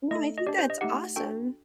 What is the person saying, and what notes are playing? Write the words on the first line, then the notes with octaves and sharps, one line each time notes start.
Well, I think that's awesome.
A3 D#4 A4 D#5
D#5
D4 G4 D5
C5
D#5
A3 D#4 G4 F#5
D4 F#4 A4 G5